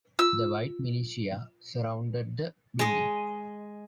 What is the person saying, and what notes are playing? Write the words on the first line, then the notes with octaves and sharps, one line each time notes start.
The white militia surrounded the building.
F4 E6
G#3 D#5